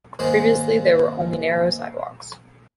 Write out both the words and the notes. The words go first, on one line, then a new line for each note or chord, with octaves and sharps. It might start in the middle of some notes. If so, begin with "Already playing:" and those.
Previously, there were only narrow sidewalks.
D#2 G#2 G#4 C5